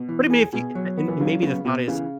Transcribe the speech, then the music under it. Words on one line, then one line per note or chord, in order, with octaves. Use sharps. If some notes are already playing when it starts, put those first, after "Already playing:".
But I mean if you and and maybe the thought is,
Already playing: B2
E3
G#4
B2 G#4
F#3
B3
E3
C#3 F#3
C#3 B3
B2 B3
C#3 E3